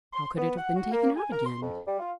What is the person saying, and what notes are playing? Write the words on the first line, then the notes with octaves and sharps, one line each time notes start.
How could it have been taken out again?
C6
B3
F#5
F#4
A#3
G#5
A#4
C6
F2
G3
F4